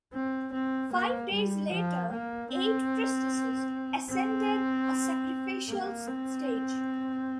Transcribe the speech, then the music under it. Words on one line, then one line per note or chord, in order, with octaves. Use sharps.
Five days later, eight priestesses ascended a sacrificial stage.
C4
C4
A#3
G3
F3
A#3
C4
C4
A#3
C4